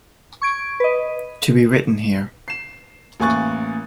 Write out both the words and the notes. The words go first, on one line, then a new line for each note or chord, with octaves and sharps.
To be written here.
C#6 G#6 D7
B4 D#5
C7 E7
A1 A#3 G#5 C#6 F#6 A6